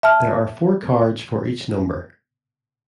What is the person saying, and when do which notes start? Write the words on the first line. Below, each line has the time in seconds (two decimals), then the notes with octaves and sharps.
There are four cards for each number.
0.03 E5 A5 F6